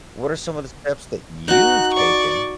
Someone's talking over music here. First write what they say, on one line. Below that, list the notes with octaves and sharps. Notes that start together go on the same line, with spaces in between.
What are some of the steps that you've taken?
D#4 F#4 F#6
D5 C#6